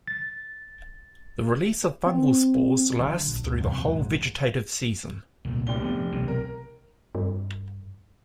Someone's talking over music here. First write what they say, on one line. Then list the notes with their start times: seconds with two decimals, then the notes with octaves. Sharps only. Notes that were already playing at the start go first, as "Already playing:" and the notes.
The release of fungal spores lasts through the whole vegetative season.
0.08 A6
2.06 C4
2.99 D3 F#3
3.26 A#1
3.44 D2 G#2
3.60 E2 C3 G3
3.77 E2 A#2 F#3
3.89 A#1 G#2
5.45 C2 A#2
5.67 F1 D4 G7
5.82 F3 B3
6.12 B1 C3 E3
6.28 A#4
7.15 G2